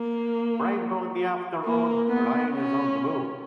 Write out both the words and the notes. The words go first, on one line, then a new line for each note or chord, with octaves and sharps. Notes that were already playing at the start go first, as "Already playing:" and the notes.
Rainbow in the afternoon, rain is on the moon.
Already playing: A#3
A#3
B3
C#4